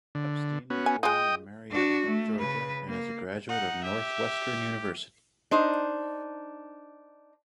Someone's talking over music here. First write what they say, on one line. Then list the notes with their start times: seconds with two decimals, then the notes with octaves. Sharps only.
Epstein was born in Marietta, Georgia and is a graduate of Northwestern University.
0.15 D3
0.70 B3 C#4 F#4
0.86 G#5
1.03 G#3 F4 D#5 G5 D#6
1.71 D4 F#4
2.07 A3
2.39 C#3 B4
2.89 A#3
3.49 D#4 F#5
3.84 G4 E5
5.51 D4 D#4 C5